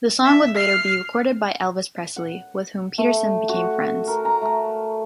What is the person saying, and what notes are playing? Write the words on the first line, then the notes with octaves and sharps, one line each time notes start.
The song would later be recorded by Elvis Presley, with whom Peterson became friends.
E5
F6 C7
F#5
A3
F#4
A#4
A#5
A3